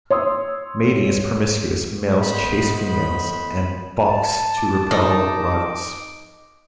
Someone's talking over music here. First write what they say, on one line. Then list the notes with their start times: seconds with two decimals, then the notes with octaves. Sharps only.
Mating is promiscuous; males chase females, and box to repel rivals.
0.10 C#5 C6 D#6 E6
2.20 A2 B3 C5 D#5 B5
4.06 A5
4.57 D6
4.91 D#4